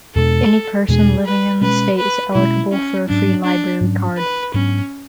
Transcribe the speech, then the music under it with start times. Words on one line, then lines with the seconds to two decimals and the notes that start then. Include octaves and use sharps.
Any person living in the state is eligible for a free library card.
0.15 E2 B2 G#3 D4 A4
0.88 E2 B2 G#3 D4 G#4
1.25 B4
1.61 B2 G#3 C#4 B4
1.98 B4
2.34 B2 G#3 C#4 E4
2.72 C#4
3.08 G#2 F#3 C#4 D4
3.44 D4
3.81 G#2 F#3 C#4
4.17 B4
4.54 G#2 F#3 B3 C#4 D4